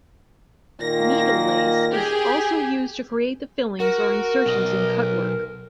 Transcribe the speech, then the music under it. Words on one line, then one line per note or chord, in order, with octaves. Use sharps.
Needle lace is also used to create the fillings or insertions in cutwork.
A#2 D#3 A#3 A#6
G4 G#4
F#4 A#4
B1 D#5